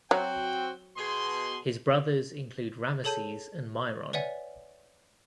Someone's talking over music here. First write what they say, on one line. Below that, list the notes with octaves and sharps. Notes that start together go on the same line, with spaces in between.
His brothers include Rameses and Myron.
F#3 C4 F#4 G5
B2 G#4 C6
G#4 A4 C#5 A5 G6 D#7
B4 C#5 D5 E5 F#5 G#5